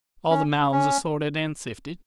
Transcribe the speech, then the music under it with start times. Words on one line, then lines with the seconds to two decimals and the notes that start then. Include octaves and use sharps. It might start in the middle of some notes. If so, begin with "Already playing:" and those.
All the mounds are sorted and sifted?'
0.30 C#4
0.72 C#4